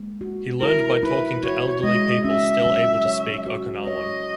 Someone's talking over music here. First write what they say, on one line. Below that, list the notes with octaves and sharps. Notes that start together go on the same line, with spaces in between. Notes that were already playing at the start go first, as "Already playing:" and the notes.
He learned by talking to elderly people still able to speak Okinawan.
Already playing: G#3 A#3
F#4
E4 A#4
E4 B4
F#4 C#5
G#3 D#5
C#4 E5
F#3
C#5
F#4
C#5 D#5